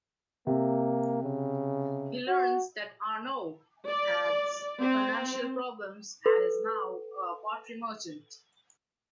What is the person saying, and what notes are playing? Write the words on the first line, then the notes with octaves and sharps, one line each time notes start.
He learns that Arnoux has financial problems and is now a pottery merchant.
C3 A#3
C#3
F#4
D5
C4
A4 B4